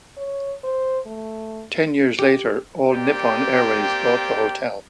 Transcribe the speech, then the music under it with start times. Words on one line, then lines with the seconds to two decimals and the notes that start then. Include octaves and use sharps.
Ten years later, All Nippon Airways bought the hotel.
0.17 C#5
0.64 C5
1.07 A3
2.19 G4
2.91 A#3 C4 G4 D5 G5